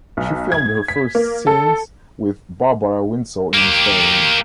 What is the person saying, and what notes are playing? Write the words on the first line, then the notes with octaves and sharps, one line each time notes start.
She filmed her first scenes with Barbara Windsor in Spain.
B1
G#6
B6
A#3
A4
A#3 G4